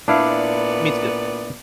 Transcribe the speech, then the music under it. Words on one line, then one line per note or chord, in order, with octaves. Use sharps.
Me too.
A#2 B3 D4 E4 D5 F5